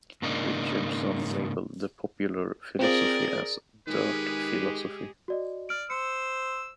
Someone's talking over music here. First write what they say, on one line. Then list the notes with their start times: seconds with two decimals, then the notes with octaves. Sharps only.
Richardson labeled the popular philosophy as "dirt philosophy".
0.22 G#2 C#3 A#3 D4 D#4
2.79 C4 F4 G#4 A#4 D5
3.87 D#3 G#3 G4 G#4 B4
5.28 F#4 D5 D#5
5.69 D5 F6 D7
5.90 C5 E6 C#7